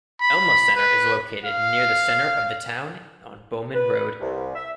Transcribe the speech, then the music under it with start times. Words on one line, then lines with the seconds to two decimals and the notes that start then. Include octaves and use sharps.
Elma Center is located near the center of the town on Bowen Road.
0.21 B5
0.76 B4
1.44 F5
3.74 B4
4.20 C2
4.55 E5